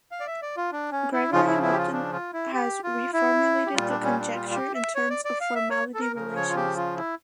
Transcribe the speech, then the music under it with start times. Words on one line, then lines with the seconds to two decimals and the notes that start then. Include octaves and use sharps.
Gregory Lupton has reformulated the conjecture in terms of formality relations.
0.11 F5
0.20 D5
0.27 E5
0.42 D5
0.57 F4
0.72 D4
0.92 C#4
1.12 E4
1.32 C#3 F3 F4
1.47 E4
1.63 E4
1.73 G4
1.78 F4
1.93 D4
2.13 F4
2.33 E4
2.54 G4
2.84 F4
3.13 E4
3.67 G4
3.74 A#2 G3 F4
3.89 D4
4.04 C#4
4.20 D4
4.34 F4
4.50 F4
4.54 G4
4.75 E5
4.95 C#5
5.10 D5
5.25 D5
5.41 F5
5.55 E5
5.71 C#5
5.94 A4
6.01 A#4
6.16 C#3 F3 A#4
6.36 C#5
6.49 F4
6.56 G4
6.77 F4
6.97 E4